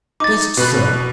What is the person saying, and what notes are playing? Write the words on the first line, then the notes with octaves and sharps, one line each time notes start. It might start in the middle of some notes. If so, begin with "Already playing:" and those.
Just so.
D#4 D6 A6
B2 B4 F#6